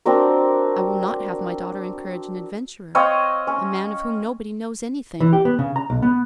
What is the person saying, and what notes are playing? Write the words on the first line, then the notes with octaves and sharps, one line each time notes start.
I will not have my daughter encourage an adventurer,--a man of whom nobody knows anything.
C4 D4 F#4 A#4
C4 C#5 D#5 F5
C#4
E3
G4
B3
C#3
A#5
B1
B3